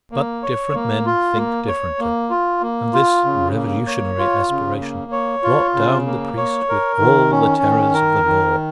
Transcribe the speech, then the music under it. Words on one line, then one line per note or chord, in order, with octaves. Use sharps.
But different men think differently; and this revolutionary aspiration brought down the priest with all the terrors of the law.
A#3
C#5
A#3
F4
A#3
C#5
A#3
F4
A#3
F4
C#3
A#3
C#5
F4
C#3
A#3
C#5
F4
C#3
A#3
C#5
A#4
D#3
C#4
D#3
A#4
D#3